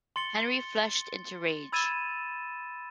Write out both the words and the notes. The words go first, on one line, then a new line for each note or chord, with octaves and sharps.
Henry flushed into rage.
C6 A6 C#7 G7
B5 E6 G#6 A6 D#7 E7